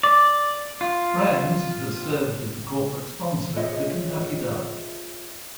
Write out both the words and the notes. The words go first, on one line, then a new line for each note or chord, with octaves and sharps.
Brands has served as the corporate sponsor of the Kentucky Derby.
D5
F4
F4 G#4 C5 C#5 D#5 E5